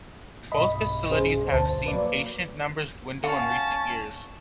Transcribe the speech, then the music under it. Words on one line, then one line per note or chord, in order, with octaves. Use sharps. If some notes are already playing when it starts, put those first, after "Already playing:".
Both facilities have seen patient numbers dwindle in recent years.
B1 G2 D#5 B5
C#4 G#4 C5
D2 C5 A5
F#3 A#3 B4 D5
C#4 F5 F#5 A5